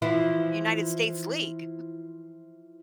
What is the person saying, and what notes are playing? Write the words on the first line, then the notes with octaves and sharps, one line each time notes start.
United States league,
E3 F3 E4